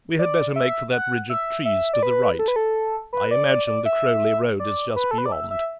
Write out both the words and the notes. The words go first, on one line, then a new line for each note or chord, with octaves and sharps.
We had better make for that ridge of trees to the right; I imagine the Crowley road is just beyond.'
D5
E5
F#5
E5
E5
D5
B4
A4
B4
A4
B4
D5
D5
D5
E5
D5
B4
A4
B4
D5
E5
E5